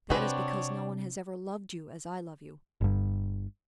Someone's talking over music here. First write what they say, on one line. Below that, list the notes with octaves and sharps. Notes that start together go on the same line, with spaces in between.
"That is because no one has ever loved you as I love you."
C3 C4 D4 F#4 B4 C#5
G1 G2